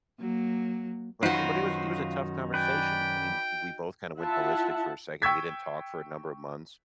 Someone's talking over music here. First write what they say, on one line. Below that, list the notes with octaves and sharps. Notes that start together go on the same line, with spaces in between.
But i but it was it was a tough conversation, I mean, we both kinda went ballistic for a second, we didn't talk for a number of months,
F#3 A#3
F#2 D#3 D#4 F4 F#4 B4 C5
B4 D5 G5 G#5
E4 F4 E5 F#5 A5
G5 C#6 E6 G#6 B6